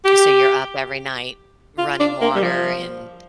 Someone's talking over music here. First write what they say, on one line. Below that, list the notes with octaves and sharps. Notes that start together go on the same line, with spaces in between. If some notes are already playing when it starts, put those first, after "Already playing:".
So, you're up every night running water, and
G4
F4
D4
A#3
G3
F3